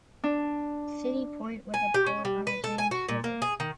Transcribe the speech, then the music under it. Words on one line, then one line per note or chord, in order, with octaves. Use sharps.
City Point was a port on the James River.
D4
G#5
G4
C#4
G3
B4
A4
G#5
F#4
A#2
A#3
G#4
D#3